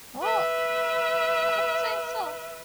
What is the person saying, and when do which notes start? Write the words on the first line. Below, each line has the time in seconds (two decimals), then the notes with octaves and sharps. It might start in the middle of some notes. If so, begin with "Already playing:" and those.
Whoa. I'd say so.
0.22 B4 E5